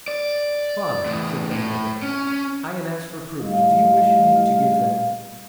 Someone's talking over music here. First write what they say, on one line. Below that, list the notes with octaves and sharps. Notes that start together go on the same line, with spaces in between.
"Father," said Benedetto, "I am asked for proofs, do you wish me to give them?"
D5
E2 A2
A2
C#4
A2 G3 D#5 F5